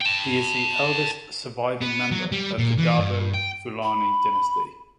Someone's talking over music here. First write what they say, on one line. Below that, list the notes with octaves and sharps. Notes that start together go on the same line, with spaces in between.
He is the eldest surviving member of the Dabo Fulani Dynasty.
G5 A5
B3
F#3
G3
A#2
E3
G2
G5
B5